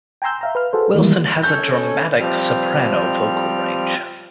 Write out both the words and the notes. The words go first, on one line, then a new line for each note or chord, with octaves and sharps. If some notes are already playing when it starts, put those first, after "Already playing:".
Wilson has a dramatic soprano vocal range.
G5 G#5 A#5 C6 E6 G6
E5 F5 A#5
B4 F5 F6
F#4 G#4 A4 B4 C5
D#3 E3 G3 G#3 A#3 E4
C#4 A4 C#5 G6
F3 G3 C4 F6